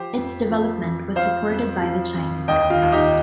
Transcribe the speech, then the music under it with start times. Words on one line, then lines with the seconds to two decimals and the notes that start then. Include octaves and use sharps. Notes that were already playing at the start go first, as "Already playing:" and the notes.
Its development was supported by the Chinese government.
Already playing: F3 G4 C5
0.17 F2
0.50 F3
0.83 F2
1.16 F3 C5 F5
1.49 F2
1.82 F3
2.15 F2
2.48 D#2 D#5 G5
2.70 F4
2.82 D#2
2.92 D#4 G4